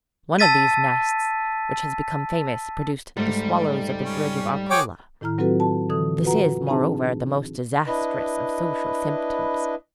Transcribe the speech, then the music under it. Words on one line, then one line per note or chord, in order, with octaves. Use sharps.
One of these nests, which has become famous, produced "the swallows of the bridge of Arcola." This is, moreover, the most disastrous of social symptoms.
A5 E6 A6 B6 D#7
G#2 G3 A3
C#4
F#4 G#4 C#5 G5 D6
A2 D#3 E4 A#5 F6
F#3 C4 F4 F#4 A4 B4
A5
D3 E3 A4 D#6
F4 F#4 B4 F#5 A#5
C4 D4 D#4 G#4 A5
D4 E4 B4 D#5